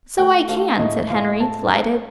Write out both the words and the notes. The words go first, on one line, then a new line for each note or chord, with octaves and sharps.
"So I can!" said Henry, delighted.
A3 G5
A3 F5
A2 D#5
A2 F5
A3 A5